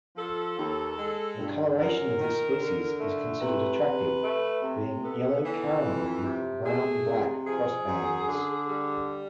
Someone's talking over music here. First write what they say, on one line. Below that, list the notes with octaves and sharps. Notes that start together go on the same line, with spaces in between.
The colouration of this species is considered attractive, being yellow-caramel with brown-black cross bands.
F3 A4
D#2
G#3
G2
F#2 A#4
D#3
D3
A3
C3 B4
C3
A3
C3
B3 A4
E3
F2
C3
A3 G#4
C3
F3 G#4
F#2
D3
G3